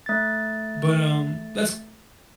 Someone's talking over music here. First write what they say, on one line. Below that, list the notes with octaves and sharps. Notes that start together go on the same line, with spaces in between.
But, um, that's
A3 A6